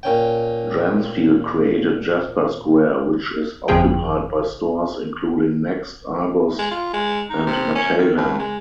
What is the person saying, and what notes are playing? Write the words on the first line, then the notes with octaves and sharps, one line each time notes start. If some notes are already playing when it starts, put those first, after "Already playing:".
Dransfield created Jasper Square which is occupied by stores including Next, Argos and Matalan.
A#2 C#4 G5
G1 F2 C3 F3 G#4 G5
G#3
F4
G#3
D#4
C3
C#4
D#3
D#2
G#3